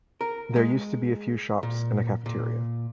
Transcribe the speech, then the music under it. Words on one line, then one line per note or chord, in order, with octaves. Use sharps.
There used to be a few shops and a cafeteria.
A#4
G#3
A#2
A#2